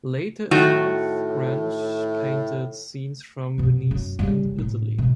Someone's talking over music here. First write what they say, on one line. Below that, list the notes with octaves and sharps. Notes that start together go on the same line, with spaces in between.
Later in life, Cranch painted scenes from Venice and Italy.
A2 D#3 A3 F#4
F#2 B2
F#2
C#3 G3
C#3
A2
B2